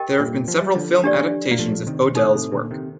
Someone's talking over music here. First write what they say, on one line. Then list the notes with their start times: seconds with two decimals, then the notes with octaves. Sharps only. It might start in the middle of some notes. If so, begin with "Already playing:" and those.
There have been several film adaptations of O'Dell's work.
Already playing: G4 A#4 D#5 G5
0.20 G2 A#2
0.48 F3
0.61 G3
0.75 D3 F3
1.04 D4 G4 D5
1.51 A#3
1.59 F3 A3
1.87 C3 D#3
2.15 C3 D#3 D#4 A4 C5
2.29 A#2
2.33 A2 C3
2.52 A#2 D3
2.71 C3 D#3